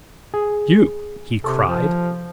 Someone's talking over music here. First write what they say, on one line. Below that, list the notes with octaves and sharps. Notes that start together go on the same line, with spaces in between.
"You?" he cried.
G#4
C3 A4
F3